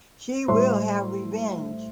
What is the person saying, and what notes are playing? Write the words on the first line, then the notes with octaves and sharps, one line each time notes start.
She will have revenge.
A2 G3 C5 E5 C6